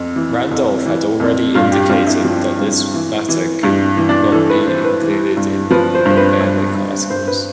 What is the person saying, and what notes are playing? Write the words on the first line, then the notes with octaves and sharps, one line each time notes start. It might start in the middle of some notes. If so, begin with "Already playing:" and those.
Randolph had already indicated that this matter could not be included in Berwick articles.
Already playing: F2
E3
F2
E3
F2
G2 F4
G4
G2 F4
E4
F3
G2
E3
E3
G2
E3
D4
E3 A4
B4
E3 C5
B4
E3
G2
F3 B4
C5
G2 C5
B4
G2
G2
G2 C5
B4